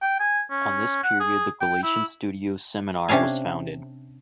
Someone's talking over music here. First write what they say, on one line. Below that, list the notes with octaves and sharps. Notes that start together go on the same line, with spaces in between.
On this period the Galician Studies Seminar was founded.
G5
G#5
C#4
F#5
G#4
G5
E4
C3 C#4 D4 F5 G#5